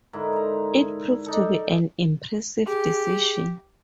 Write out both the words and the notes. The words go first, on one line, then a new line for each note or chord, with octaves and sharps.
It proved to be an impressive decision.
G#2 D3 E4 A#4
C5 A#5
D4 D#4 A4
G4 G#4